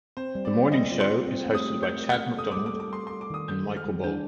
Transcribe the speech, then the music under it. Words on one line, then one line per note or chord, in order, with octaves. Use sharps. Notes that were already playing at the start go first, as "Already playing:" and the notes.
The morning show is hosted by Chad McDonald and Michael Ball.
C4 C5
G3
D5
G3
C4 D#5
F4
C6
C4
C4
A3
D#6
G4
A#4 G6
A#4
F6
A#4
A4 D#6
D6
G3
D6
A4
D6
A4 C6
A4 C6
D6
D#3 D#6
A4 G6
A4
F6
G3
D4 G6